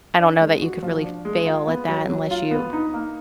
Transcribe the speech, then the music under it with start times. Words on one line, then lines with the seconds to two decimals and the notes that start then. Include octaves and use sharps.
I don't know that you could really fail at that unless you
0.19 D4
0.41 G#3
0.62 F#4
0.83 F3
1.03 D4
1.25 G#3
1.46 F4
1.67 B3
1.89 F#3
2.10 F#3
2.31 F4
2.51 B3
2.73 D#4
2.94 A#3